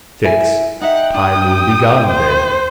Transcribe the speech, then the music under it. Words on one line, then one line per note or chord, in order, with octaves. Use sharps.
Six. Time will be gone then.
E4 G#5
D#4 E5 F#5 G5
D4 D#6
C5